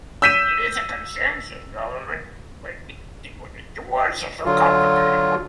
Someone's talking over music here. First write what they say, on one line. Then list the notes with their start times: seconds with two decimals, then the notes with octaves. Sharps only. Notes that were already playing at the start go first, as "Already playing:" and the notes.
It is a consensus government called the Legislative Assembly.
0.22 E6 G6 B6 D#7 E7
4.46 D3 F#3 F4